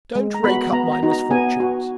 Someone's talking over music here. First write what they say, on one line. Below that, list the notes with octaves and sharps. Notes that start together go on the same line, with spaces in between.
"Don't rake up my misfortunes."
G#3
A#5
B3 F#4 B5
B3 A#5
A#5
D#4 F#4
A#5
B3 G#5
F#4